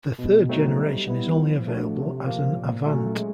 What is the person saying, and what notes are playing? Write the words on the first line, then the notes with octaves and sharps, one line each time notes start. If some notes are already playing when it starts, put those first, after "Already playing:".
The third generation is only available as an Avant.
B2
F#3 A3 C4 D#4
G3
B3 E4
F3
A3 D4 F#4
C3
F3 A#3
A#2
F#3 A3 C#4
G#3